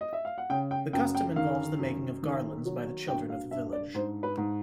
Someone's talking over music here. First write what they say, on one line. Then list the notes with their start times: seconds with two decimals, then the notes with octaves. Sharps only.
The custom involves the making of garlands by the children of the village.
0.01 D#5
0.13 E5
0.25 F5
0.38 F#5
0.50 C#3 G5
0.71 G5
0.93 F#2 G5
1.15 G5
1.36 D#3 F5
1.79 F#2
2.23 D#3
2.65 F#3
3.08 G2 G5
3.30 F5
3.51 G2 E5
3.73 D5
3.94 G#2 C5
4.23 B4
4.37 G#2